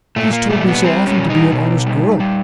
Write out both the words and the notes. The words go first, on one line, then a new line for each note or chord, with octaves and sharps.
She's told me so often to be an honest girl.
A#2 A3
A#3
G3 A3
B3
G3 C4
C#4
A#2
D#4
B2
G3
G3